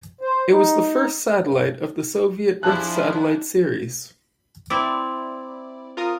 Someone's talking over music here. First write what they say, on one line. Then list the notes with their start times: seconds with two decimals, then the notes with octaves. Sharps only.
It was the first satellite of the Soviet Earth Satellite series.
0.21 C5
0.50 D#4
1.37 G2
2.63 F3 D4 E4 G#4 A5 F#6
4.70 C4 E4 D5
5.97 F4 A#4 D#6